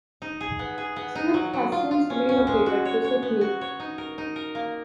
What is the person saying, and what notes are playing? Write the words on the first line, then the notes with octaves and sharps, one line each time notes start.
Smith has since relocated to Sydney.
D#4
G#4
B3
G#4
B3
D#4
F#3
F#3
F4
F4
C#4
C#4
G#3
F#4
C#5
C#5
B3
F#4
C#5
D#4
A#4
D#4
A#4
A#3